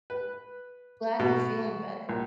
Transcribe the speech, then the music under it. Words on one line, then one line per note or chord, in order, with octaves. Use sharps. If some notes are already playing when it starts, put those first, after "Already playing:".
Glad you're feeling better.
B4
B2
A#1